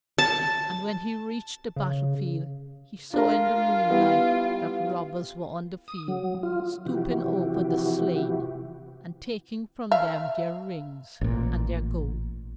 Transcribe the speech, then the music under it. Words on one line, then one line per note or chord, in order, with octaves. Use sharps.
And when he reached the battle-field, he saw in the moonlight that robbers were on the field stooping over the slain, and taking from them their rings and their gold.
A5
C#3
D4 F4 A#4
G3 B3 E4
D#6
F#3
F4
C3 E3 F3 E4 F#4 G4
E5 F5
A1 A#2